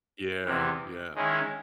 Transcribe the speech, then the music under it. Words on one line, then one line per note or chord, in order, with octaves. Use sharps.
Yeah. Yeah.
E2 C3 E3
D#3 G#3 C#4 E4